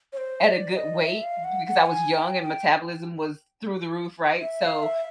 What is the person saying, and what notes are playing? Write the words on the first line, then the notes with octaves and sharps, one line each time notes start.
at a good weight b because I was young and metabolism was through the roof, right? So,
C#5
C5
D5
D#5
E5
F5
F#5
F#5
G#5
G5
G5
E5
F5
E5